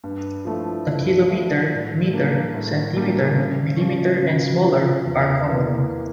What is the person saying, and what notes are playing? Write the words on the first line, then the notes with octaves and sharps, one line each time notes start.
The kilometre, metre, centimetre, millimetre, and smaller are common.
G2
F3 A3 E4
G2
F3 A3 E4
A2
G3 A#3 D4
A2
G3 A#3 D4
C#3
F3 C#4 F4
C#3
F3 C#4 F4
E2
E3 A#3